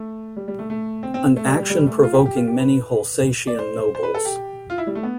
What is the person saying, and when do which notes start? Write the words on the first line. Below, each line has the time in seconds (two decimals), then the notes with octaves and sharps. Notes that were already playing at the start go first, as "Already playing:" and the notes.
An action provoking many Holsatian nobles.
Already playing: A3
0.36 G3
0.48 G3
0.59 A3
0.70 A3
1.03 C4
1.14 C4
1.36 A3
1.47 G3
1.59 G3
1.70 G3
1.87 A3
2.03 F4
2.14 G4
2.26 G4
2.36 F4
2.47 G4
2.59 B4
3.47 D5
3.59 C5
3.95 C5
4.03 B4
4.14 A4
4.25 G4
4.70 F4
4.78 E4
4.87 G3
4.95 A3
5.03 B3